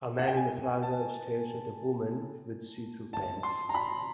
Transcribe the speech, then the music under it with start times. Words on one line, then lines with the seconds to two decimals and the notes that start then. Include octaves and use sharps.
A man in a plaza stares at a woman with see through pants.
0.19 F#5
0.28 G5
0.37 G#5
0.83 A5
3.13 A5
3.43 C6
3.69 A#5
3.74 B5